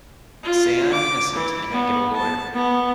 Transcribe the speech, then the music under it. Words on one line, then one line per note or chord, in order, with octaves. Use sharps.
Say I am innocent and I get a lawyer.
F4
D6
E3
B3
A5
B3